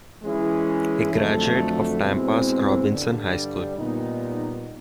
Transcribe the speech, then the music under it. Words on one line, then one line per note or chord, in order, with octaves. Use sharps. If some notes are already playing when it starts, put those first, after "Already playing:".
A graduate of Tampa's Robinson High School.
E3 G#3 C#4 E4 G#4
F2 D3 F#3 A3
B2 G#3 C4 E4
G2 D3 G3
A#2 G3 B3 D#4